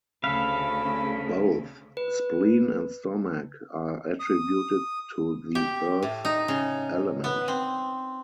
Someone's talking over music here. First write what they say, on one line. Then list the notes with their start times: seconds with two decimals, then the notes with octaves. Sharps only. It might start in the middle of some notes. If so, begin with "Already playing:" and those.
Both Spleen and Stomach are attributed to the Earth element.
0.24 D2 C#3 A4 F5 B5
1.97 B4
4.20 D#6
5.55 G4
6.03 A2
6.25 D#4
6.48 C#3
7.24 B3
7.48 C4